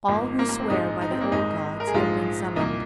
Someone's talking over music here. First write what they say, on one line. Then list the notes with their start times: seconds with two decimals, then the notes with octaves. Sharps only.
All who swear by the old gods have been summoned.
0.08 G#1 G#2 F3 A#3
0.39 A#3
0.49 A#3
0.60 C4
0.70 A#1 G#2 G#3 D#4
1.01 D#4
1.11 C4
1.21 A#3
1.31 G#1 G#2 G#3 D#4
1.80 A#4
1.87 G#4
1.94 A#1 G#2 F3 G#3 F4
2.56 C2 A#2 A#3 D#4